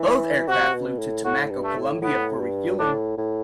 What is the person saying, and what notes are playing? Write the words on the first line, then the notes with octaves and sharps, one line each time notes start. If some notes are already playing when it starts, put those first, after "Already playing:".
Both aircraft flew to Tumaco, Colombia for refueling.
Already playing: E3
C3 F#4
B2
A2
A2 F#4
G2
A3
A2
A2 B3
G2
A2 D4
A2